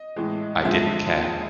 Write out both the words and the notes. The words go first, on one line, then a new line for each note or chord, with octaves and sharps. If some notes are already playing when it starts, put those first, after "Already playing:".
I didn't care.
Already playing: D#5
A2 E3 G#3
F2 D3 F3 G#3 E5